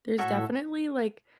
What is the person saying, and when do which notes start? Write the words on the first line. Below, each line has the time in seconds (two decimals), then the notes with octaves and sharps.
There's definitely, like,
0.18 A2 F#4 A4 C#5 E5